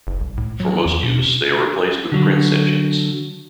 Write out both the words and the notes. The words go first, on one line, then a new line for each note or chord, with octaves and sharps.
For most use, they are replaced with Prince engines.
F#1
C2
A2
F#3
E2
B2
C3
D3 F#3